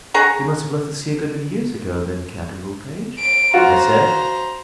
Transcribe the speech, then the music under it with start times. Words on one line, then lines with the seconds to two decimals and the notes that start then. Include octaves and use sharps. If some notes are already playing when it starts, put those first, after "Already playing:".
"You must have left the sea a good many years ago, then, Captain Littlepage?" I said.
0.14 G#4 C#5 F#5 A#5
3.18 D7
3.54 F4 F#4 C5 A#5